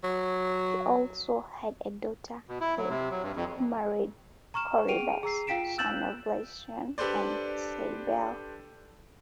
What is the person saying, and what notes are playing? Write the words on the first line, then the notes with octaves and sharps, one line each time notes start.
He also had a daughter Thebe, who married Corybas, son of Iasion and Cybele.
F#3
B2
E4
F#3
C3
F#3
G2
F2
A#5 C#6 F6 E7
G#4 F#5 G5 D7 D#7 F7
G#4 A#5 E6 C7
F4 F5 G5 B6 D7 E7
E6 F#6 G6 A6 E7 F#7
D4 G4 A4 B4 C5 D5